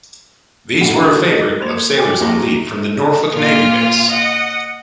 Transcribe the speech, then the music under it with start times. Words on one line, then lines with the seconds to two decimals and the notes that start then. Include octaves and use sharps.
These were a favorite of sailors on leave from the Norfolk Navy Base.
0.81 F#1 B1 A2 G4 D7
0.95 D3 G3 E4 F#4
1.31 G#3 D#4 A#4
1.60 A#3 C5 G#6 E7 F7
1.97 G5 G#5 D6
2.19 D#2 E4 G#4 A#5 A#6 E7
3.33 A#2 F4 F6
4.08 D#5 F#5